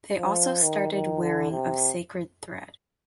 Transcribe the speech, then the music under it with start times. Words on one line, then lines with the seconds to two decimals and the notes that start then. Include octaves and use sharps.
They also started wearing of Sacred thread.
0.18 F3
0.63 D#3
0.92 D#3
1.21 D3
1.51 C3